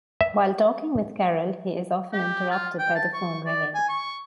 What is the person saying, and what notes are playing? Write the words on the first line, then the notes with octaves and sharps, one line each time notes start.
While talking with Carol, he is often interrupted by the phone ringing.
E5
G4
F4
G5
A5
C#6
D5
G#5
C#6